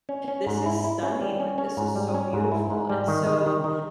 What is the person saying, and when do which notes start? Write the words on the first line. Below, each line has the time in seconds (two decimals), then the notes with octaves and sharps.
this is stunning, like this is so beautiful," and so
0.09 C#4
0.28 C#4
0.47 G#2
0.66 E4
0.84 E4
1.03 C#4
1.21 G3
1.40 C#4
1.58 C#4
1.77 G#2
1.95 G3
2.14 C#4
2.33 G#2
2.52 E4
2.70 G#2
2.89 G3
3.08 D#3
3.27 D#3
3.46 D#3
3.64 D#3